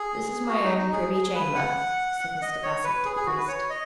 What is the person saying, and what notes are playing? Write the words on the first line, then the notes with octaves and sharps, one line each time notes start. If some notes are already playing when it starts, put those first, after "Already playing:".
"This is my own privy chamber," said Mr. Bassett to the priest.
Already playing: G#4
F#4
D#4
D#4
G#4
G#4
B4
F#5
F#5
F#5
D#5
C#5
B4
G#4
G#4
F#4
B4
C#5
D#5